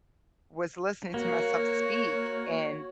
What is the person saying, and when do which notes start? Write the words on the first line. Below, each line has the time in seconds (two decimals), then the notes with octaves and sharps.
was listening to myself speak and
1.14 A#3 F#4 C#5